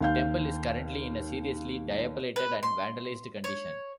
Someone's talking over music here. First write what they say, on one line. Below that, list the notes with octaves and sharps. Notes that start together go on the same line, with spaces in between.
The temple is currently in a seriously dilapidated and vandalised condition.
D#2 F5 G6
B4
C6
C#5